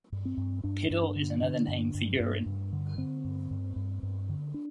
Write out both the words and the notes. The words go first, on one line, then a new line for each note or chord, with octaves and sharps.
Piddle is another name for urine.
G2
C4
G2
G2 D4
G2
D4
D3
D3 D4
G2
G2
G2
G2
D3
D3 C4
G2
G2
G2
G2
D3
D4